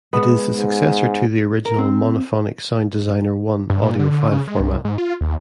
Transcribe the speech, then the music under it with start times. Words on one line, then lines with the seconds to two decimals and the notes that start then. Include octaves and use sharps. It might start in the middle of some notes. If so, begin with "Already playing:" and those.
It is the successor to the original monophonic Sound Designer I audio file format.
0.13 G#3 B3
0.58 G#2
1.66 A#4
1.79 C4
3.70 G2
3.82 A#2
3.99 D3
4.11 D3
4.32 C#3
4.48 G#3
4.60 C2
4.85 G#2
4.98 F4
5.21 D#2